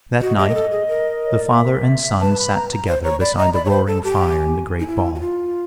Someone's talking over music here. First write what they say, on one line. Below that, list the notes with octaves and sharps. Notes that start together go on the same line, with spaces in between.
That night the father and son sat together beside the roaring fire in the great ball.
F#4 D#5
G4
A#4
A4
G#4
A#4
C#5
D5
D#5
E5
B4 A5
B5
A#5
A#5
C5
C#5 A#5
D5 B5
D#5 A#5
D5 B5
C#5
C5 B5
A4 A5
G4 A5
G#5
G5
G#5
D#4
E4
F#4
F4